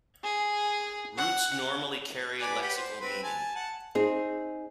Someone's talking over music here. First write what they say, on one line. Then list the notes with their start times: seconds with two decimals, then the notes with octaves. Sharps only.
Roots normally carry lexical meaning.
0.23 G#4
1.17 F#5
2.41 B4 D5 G#5
2.61 G4 B4 F#5
2.77 C5
3.01 C4 B4
3.23 G#5 A5
3.55 F#5 A5
3.95 C4 D#4 G#4